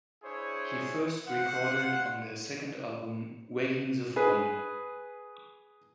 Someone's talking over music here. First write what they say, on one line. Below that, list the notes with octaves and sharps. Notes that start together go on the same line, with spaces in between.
He first recorded on their second album "Waking the Fallen".
D4 E4 G#4 C5 C#5
C5 F5 F#5
G#4 B4